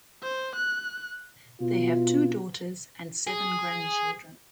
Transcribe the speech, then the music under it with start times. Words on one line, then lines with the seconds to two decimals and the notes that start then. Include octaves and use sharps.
They have two daughters and seven grandchildren.
0.22 C5
0.56 F#6
1.61 B2 F4
3.27 G#4